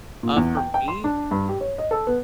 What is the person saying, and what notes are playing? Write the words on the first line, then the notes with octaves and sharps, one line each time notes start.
Uh, for me,
A#2
E2
G5
G5
C6
D4
G2
G4
C#5
D#5
A4
B3